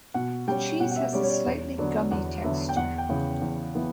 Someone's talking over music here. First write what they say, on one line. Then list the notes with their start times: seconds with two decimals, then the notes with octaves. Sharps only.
The cheese has a slightly gummy texture.
0.14 B2 F#5
0.48 G3 C#4 G5
0.80 B2 F#5
0.91 F#5
0.96 E5
1.12 G3 C#4 D5
1.23 C#5
1.29 D5
1.45 E2 C#5
1.78 D3 F#3 B3 D5
2.11 E2 F#5
2.44 D3 F#3 B3 E5
2.69 G5
2.76 E2 F#5
2.98 G5
3.09 C#3 E3 B3
3.41 E2
3.75 E3 B3